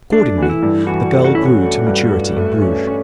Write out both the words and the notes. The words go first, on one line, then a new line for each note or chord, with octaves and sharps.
Accordingly the girl grew to maturity in Bruges.
A3 D4
E3
F#4
E4
G2
E3 F#4
A3
F#4
C#4 E4
F#4
A3
G2
G2
A3
C#4
C#4